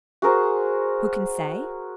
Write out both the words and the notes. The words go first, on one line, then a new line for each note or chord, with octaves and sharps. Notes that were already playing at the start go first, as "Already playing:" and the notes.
Who can say?
F#4 G#4 A#4 C5